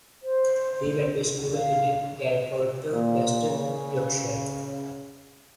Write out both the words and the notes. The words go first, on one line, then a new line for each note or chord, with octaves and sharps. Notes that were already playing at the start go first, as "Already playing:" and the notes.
He went to school in Garforth, West Yorkshire.
C5
F5
A#2
C#3